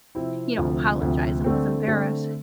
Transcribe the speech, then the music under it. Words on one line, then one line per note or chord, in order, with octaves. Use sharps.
you know, apologized and was embarrassed.
C3 F3 C4 E4
D2 C3 F3
D2 C3 F3
D3 A3 C4
D3 A3 C4